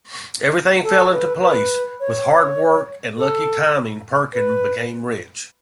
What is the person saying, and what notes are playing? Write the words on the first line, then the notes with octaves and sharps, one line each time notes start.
Everything fell into place: with hard work and lucky timing, Perkin became rich.
A4
B4
B4
C#5
A4
B4